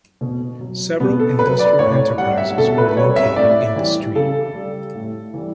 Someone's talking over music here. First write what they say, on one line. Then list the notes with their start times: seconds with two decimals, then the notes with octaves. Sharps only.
Several industrial enterprises were located in the street.
0.21 B2
0.60 F#3
1.00 B2 B3
1.20 A4
1.39 F#3 B4
1.59 D5
1.79 A2 C#5
2.18 G3 F#5
2.38 E5
2.57 B2 A4
2.78 B4
2.97 G3 C#5
3.16 E5
3.36 A2 D5
3.76 E3 G3
4.15 C#3 A4
4.55 G3
4.95 A2
5.34 E3 G3